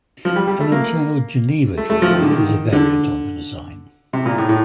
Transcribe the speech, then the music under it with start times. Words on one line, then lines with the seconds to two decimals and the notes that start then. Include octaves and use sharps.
An internal Geneva drive is a variant on the design.
0.25 F3
0.36 G3
0.47 G3
0.60 A3
0.72 A#3
1.77 A3
1.90 A3
2.02 F3
2.13 D#3
2.22 D3
2.31 D#3
2.73 D3
4.13 C3
4.26 A#2
4.38 A2
4.49 A2